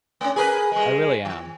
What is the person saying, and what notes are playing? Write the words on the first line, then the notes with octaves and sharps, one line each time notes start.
I really am.
A3 C#4
G#4 A#4 B4
G3 G#3
E3